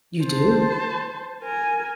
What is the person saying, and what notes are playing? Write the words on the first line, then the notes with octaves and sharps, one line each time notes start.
You do.
C5 A5
A#4 G#5